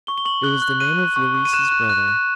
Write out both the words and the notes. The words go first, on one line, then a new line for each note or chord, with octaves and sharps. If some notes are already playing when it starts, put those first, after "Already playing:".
It was the name of Louise's brother.
C#6 G7
G7
C#6 F#7
F#6 G7
F#6
F#6 D#7
F#6
C#6
C#6
D#7
F#6 E7
F#6
F#6
F#6